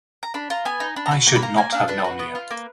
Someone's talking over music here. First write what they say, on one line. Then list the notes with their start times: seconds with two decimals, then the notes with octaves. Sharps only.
I should not have known you.
0.23 A#5
0.34 D4 B5
0.50 F4 A#5
0.65 B3 G#5
0.80 D#4
0.96 D4 B5
1.06 A#5
1.11 F#4 B5
1.27 A#3 A#5
1.36 B5
1.42 F4 A#5
1.57 A#3 G#5
1.72 D4 F5
1.88 D4 B4
2.04 F#4
2.19 B3
2.35 F4
2.51 A#3